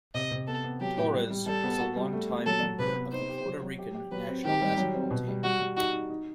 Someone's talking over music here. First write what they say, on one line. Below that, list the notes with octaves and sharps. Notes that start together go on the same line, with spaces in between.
Torres was a longtime member of the Puerto Rican national basketball team.
C3 D#5
C3
B3 A4
B3
F#3 G4
A2
G3
G3
G3 A4
B3
F#4
G3
A3
A3
F#3 A4
F#3
C3 B4
B3
D#4 C5
G4
F#3
F#3
G4
G4
F#3 B4
C4
D#3 G4
G3
F#3
C4
B2
G3
G3 F#4
G3
D#4 F#4
D#4
D#4